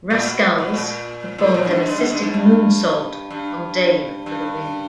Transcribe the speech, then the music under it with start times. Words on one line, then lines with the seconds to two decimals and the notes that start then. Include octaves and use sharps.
Rascalz performed an assisted moonsault on Dave for the win.
0.10 A#2
0.26 B2
0.58 B2
0.74 A#2
1.38 A2
1.54 A#2
1.65 G2
1.71 G#2
1.86 G2
1.98 G#2
2.10 G2
2.22 G#2
2.34 G2
3.31 G2
4.26 G2